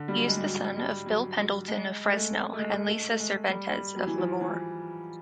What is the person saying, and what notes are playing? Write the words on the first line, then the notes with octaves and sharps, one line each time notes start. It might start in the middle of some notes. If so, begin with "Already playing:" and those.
He is the son of Bill Pendleton of Fresno and Lisa Cervantez of Lemoore.
Already playing: D3
G3
F#3
G#3
G3
F#3
G3
F#3
F#3
G#3
G#3
A3
A3
G#3
A3
A3
G#3
G3
G3
F#3
E3
F3
E3